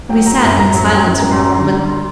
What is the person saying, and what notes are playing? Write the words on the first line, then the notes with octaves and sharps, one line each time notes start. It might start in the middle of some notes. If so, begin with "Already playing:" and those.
We sat in silence for a moment.
F#3 G5
F#3 A#5
F#2 A#5
F#2 A#5
F#3 A#5
F#3 G5
F#2
F#2 A#5
C6
F#3 A#5
D3 C6
G3 A#5
C6